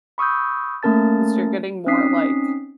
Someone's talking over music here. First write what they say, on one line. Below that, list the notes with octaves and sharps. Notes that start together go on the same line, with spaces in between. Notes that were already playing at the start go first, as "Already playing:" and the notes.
'Cause you're getting more like,
B5 C#6 D#6 E6 G6
A3 A#3 C#4 A#4 A5 A6
C4 C#4 D#4 D#6 B6 C7